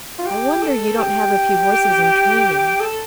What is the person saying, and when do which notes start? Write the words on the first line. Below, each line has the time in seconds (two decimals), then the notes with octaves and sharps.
"I wonder you don't have a few horses in training."
0.18 F4
0.26 G4
0.62 A4
0.99 G4
2.80 A4